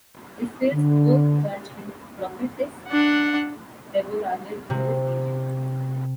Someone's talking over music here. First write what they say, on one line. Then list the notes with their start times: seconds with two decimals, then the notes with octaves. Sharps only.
Israel's fourth judge and prophetess Deborah lived in this region.
0.73 D3
2.89 D4 F#5
4.70 C3